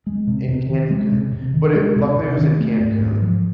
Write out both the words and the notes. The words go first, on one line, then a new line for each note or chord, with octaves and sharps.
in Cancun, but it luckily it was in Cancun.
G#3
C3
C3
D#3
G#3
C3
C3
D#3
G#3
C3
C3
D#3
A3
G#2
G#2
F3